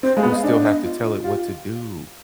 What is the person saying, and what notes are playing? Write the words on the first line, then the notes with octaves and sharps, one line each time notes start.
who still have to tell it what to do.
C4 C5
G#3 F5
B3
D#5
F5
D4 D#5
D#5
F4
F4
F4 G4